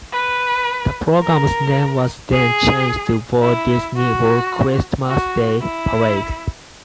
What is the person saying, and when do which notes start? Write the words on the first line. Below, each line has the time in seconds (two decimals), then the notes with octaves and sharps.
The program's name was then changed to Walt Disney World Christmas Day Parade.
0.12 B4
1.22 A#4
2.32 G#4
3.42 E4
3.97 F#4
5.07 F#4
5.62 E4